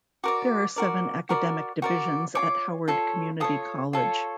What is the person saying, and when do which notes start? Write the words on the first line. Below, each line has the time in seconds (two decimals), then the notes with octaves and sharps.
There are seven academic divisions at Howard Community College.
0.24 F#4 A#4 D5 D6
0.76 F#4 A#4 D5
1.29 F#4 A#4 D5
1.82 F#4 A#4 D5
2.35 F4 A4 C#5 D6
2.88 F4 A4 C#5
3.40 F4 A4 C#5 D#6
3.93 F4 A4 C#5